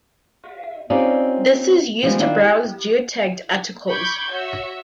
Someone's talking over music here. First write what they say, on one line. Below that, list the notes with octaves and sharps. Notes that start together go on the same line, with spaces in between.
This is used to browse geotagged articles.
C4 C#4 D#4 F4 G4 D5
E3 F3 G3 G#3 B3
D#3 D4 E4 F4 D5
G4
B5 C#6 D6 G6 G#6
F#4 C#5 E5